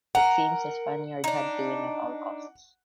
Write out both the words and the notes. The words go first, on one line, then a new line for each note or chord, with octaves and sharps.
It seems a Spaniard had to win at all costs.
A#4 F#5
D4 D#4